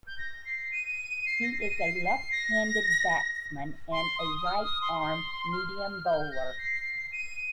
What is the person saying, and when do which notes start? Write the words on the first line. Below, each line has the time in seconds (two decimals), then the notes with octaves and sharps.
He is a left-handed batsman and a right-arm medium bowler.
0.07 G6
0.18 A#6
0.45 C7
0.72 D#7
1.25 C7
1.43 A#6
1.52 C7
1.61 D#7
1.79 C7
2.05 C7
2.32 A#6
3.92 C6
4.19 D#6
4.38 D#6
4.46 F6
4.63 D#6
4.81 C6
4.99 C6
5.53 F6
6.06 G6
6.32 A#6
6.59 C7
7.12 D#7